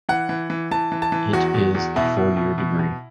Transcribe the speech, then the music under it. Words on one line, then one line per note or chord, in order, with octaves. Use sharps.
It is a four-year degree.
E3 F#5
E3
E3
E3 A5
E3
A5
E3
E2 F#4
E2
E2
B2 E4
B2
B2
B2
B2